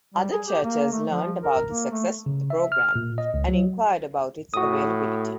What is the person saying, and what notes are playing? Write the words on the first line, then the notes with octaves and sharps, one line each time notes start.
Other churches learned about the success of the program and inquired about its availability.
G3
G#4
G4
A#3
A3
F3
A#4
A#3
A3
C#3
E5
F6
A#2
D#5
C#2
F#3
A2 F#4 D#6